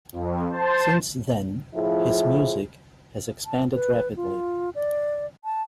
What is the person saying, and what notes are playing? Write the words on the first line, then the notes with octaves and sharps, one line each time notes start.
Since then his music has expanded rapidly.
F2
C5 A5
F2 A2 F3 E4 F4 G#4
A5
B4
F4
D5
A5